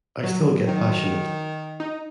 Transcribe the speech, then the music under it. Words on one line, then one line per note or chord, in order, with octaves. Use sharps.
I still get passionate.
F#3
D#3
D#4